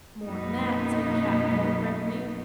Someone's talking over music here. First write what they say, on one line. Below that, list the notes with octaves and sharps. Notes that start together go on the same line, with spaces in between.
"More'n that," said Cap'n Bill, grimly.
F#2 B2 A#3 B3 D#4